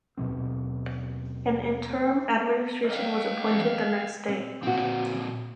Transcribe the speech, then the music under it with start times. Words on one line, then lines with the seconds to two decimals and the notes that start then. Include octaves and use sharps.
An interim administration was appointed the next day.
0.17 D#2 B2 F#3 C4
2.90 D#5 F5
4.28 C4
4.63 A#2 C4 F4 F#4